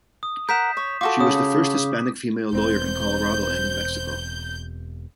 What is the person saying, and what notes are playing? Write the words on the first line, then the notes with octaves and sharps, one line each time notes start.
She was the first Hispanic female lawyer in Colorado and New Mexico.
D#6
A#4 F#5 G6 B6 E7
C#5
F4 F#4 A4 D6
C#3 D#6
E1 E2 C4 C5 G6